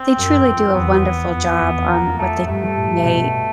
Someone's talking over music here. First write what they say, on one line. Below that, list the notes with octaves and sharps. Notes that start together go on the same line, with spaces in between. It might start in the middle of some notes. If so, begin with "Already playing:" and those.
they truly do a wonderful job on what they can create,
Already playing: C4
F#2
F2
E2 B3
F2
E2
F2 A#3
F2 A3
G2 A3
A2
B2